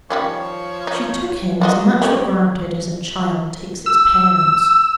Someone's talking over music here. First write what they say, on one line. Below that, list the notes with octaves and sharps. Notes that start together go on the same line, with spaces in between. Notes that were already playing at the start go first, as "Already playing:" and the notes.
She took him as much for granted as a child takes its parents.
D#3 F3 G3 C#4 C#5
D#4
F#3 F4 F#4 D#5
F#2 C3 D#3 F3 A4 C#5
E6